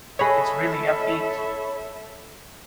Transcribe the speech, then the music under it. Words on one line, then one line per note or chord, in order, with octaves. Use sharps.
It’s really upbeat.
G#4 A4 B4 C#5 D#5 E5 B5